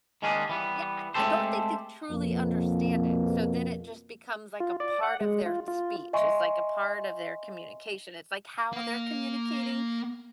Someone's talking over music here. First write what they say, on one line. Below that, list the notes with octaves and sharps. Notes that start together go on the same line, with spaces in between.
Yeah, I I don't think they truly understand it, so then it just becomes, like, a part of their speech. It's, like, a part of their communication. It's, like, how they're communicating,
D#3 G#3 A#3 C#4 D4 G#4
E3 G3 B3
G#3 A3 C4 G4 A4 C5
F2 B2 A#3
F4
D5
F#5
G#3
F4
F4
D#5 E5 G#5 C6 C#6
A#3 F5